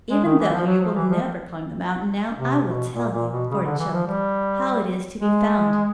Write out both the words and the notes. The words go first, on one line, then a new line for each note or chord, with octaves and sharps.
Even though you will never climb the mountain now, I will tell you, for a joke, how it is to be found.
G#3
D#3
E3
F3
F#3
F3
E3
F3
C3
B2
A#2
A#2
B2
C#3
D3
E3
F3
G3
G#3